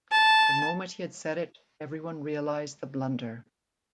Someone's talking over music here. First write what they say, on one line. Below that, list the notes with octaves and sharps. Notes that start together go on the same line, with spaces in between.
The moment he had said it every one realized the blunder.
A5